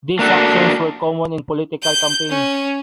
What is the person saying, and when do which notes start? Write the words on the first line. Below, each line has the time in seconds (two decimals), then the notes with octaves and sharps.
This actions were common in political campaigns.
0.19 A#3 D4 F#4 A4
1.83 G6
2.30 C#4